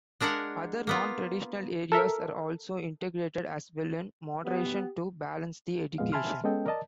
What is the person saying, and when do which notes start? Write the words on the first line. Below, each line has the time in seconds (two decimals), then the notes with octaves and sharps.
Other non-traditional areas are also integrated as well in moderation to balance the education.
0.20 G#3 D4 A#4 F5 F#5
0.87 A#3 B3 F4
1.92 A4 A#4 E5
4.45 B3 G4
5.98 F2 A#2 G#3 B3 F5
6.12 E5 G#5 A5 B5 C6 F6
6.44 G#3 B3 C#4 A4 D#5 G5
6.66 A#4 D5 D#5 A5